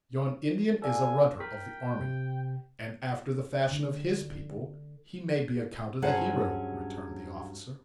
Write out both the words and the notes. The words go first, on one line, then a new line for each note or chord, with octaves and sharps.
"Yon Indian is a 'runner' of the army; and, after the fashion of his people, he may be accounted a hero," returned the officer.
A4 D5 F5 G#5
A#4 G5 B6
C3
D3
G2 F#3 C#4 G#4 C5 F#5